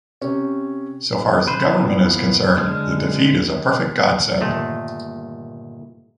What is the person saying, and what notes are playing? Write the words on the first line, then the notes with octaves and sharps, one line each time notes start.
So far as the government is concerned, the defeat is a perfect godsend.
C3 C#4
B4 C5
E3 F3 B3
D3 G#3 F6
G1 A#2 D#3 A3